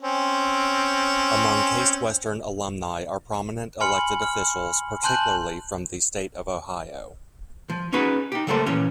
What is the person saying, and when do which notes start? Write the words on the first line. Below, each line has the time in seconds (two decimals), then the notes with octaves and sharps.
Among Case Western alumni are prominent elected officials, particularly from the State of Ohio.
0.02 C4 C#4
3.80 G#5 B5 C6 F6 C#7 F#7
4.22 F6
5.03 G#5 A5 C6 F#6 G6 F#7
7.70 F3
7.93 C#4 D#4 F#4 G#4 B4
8.32 D#4 G4
8.47 C#3 F#3 A3 A#3 A4 C5
8.66 A#2 E3 F3 C#4 F4